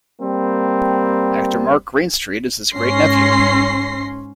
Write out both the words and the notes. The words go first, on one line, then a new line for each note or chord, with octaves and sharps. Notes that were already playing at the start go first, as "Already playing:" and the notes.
Actor Mark Greenstreet is his great-nephew.
G3 A#3 C4
G#2 C#4 C6 A#6 C7